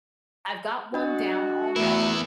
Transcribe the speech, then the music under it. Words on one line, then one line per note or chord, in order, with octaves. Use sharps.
I've got one down already,
D4 F#4 D#5
E2 A3 E4 A#4